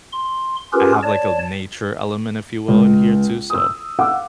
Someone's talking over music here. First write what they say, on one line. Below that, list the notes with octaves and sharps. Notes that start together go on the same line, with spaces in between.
I have, like, a nature element, if you will, in here too, so
C6
C#4 F4 G4 G#4 A#4 B4
C#5 D5 A5
C#2
D#6 E6
F5 F#5 D6 E6